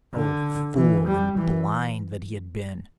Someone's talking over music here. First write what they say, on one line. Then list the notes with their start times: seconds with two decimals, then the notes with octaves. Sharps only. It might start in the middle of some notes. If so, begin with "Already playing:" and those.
Oh, fool and blind that he had been!
0.14 D3
0.76 E3
1.07 G3
1.37 E3